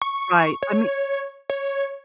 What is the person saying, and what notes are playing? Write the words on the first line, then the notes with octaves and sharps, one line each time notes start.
Right. I mean
C#6
C#5
C#5